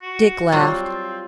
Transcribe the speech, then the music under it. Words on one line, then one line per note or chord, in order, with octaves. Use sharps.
Dick laughed.
F#4
F#3 G3 C4 F4 F#4